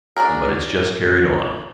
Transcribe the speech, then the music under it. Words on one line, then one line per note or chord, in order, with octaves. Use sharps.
But it's just carried on.
D4 F#4 G#4 A#4